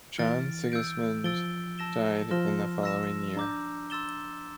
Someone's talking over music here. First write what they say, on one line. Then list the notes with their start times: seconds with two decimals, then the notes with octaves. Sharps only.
John Sigismund died in the following year.
0.18 E3 F6 A6 D7
0.72 E6 G6 D7
1.24 F3 E6 A6 D7 G7
1.78 A5 E6 A#6 E7 G7
2.31 F3 C6 F6 A#6 E7 G7
2.83 E6 A#6 E7
3.36 D4 A#5 D6 G6
3.90 C6 E6 A6 E7 G7